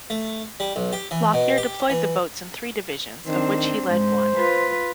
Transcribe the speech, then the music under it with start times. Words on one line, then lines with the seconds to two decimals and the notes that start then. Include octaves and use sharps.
Lockyer deployed the boats in three divisions, of which he led one.
0.10 A3
0.60 G3
0.76 B1
0.93 G4
1.11 E3
1.34 B2
1.58 G4
1.90 E3
3.27 D#3 C4 D4
3.87 G#2 C5
4.37 F4 B4